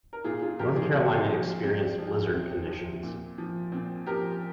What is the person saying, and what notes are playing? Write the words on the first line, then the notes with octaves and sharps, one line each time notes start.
North Carolina experienced blizzard conditions.
A#4
A#2 F4 G#4
F4 G#4
F3 G4 A#4
F4 G#4
A#2 C4
F3
C3 C4
F3
C3 C4
F3
A#2
F3
A#2 C4
F3 G4 A#4